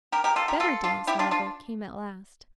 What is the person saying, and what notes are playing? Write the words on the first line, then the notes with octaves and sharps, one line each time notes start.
Better days, however, came at last.
G4 A#4
G4 A#4
F4 A4
G4 A#4
F4 A4
D4 F4
E4 G4
D4 F4
D4 F4